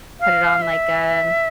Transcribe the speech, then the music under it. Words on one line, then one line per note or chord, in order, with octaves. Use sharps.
put it on, like, um,
F5
E5